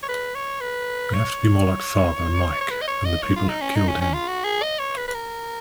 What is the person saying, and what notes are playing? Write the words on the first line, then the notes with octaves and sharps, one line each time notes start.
We have to be more like Father Mike than the people who killed him.
C#5
B4
C#5
B4
C#5
C#5
B4
D#5
C#5
D#5
C#5
F4
D#4
C#4
D#4
C#4
C#4
F4
F#4
G#4
D#5
C#5
B4
B4
A#4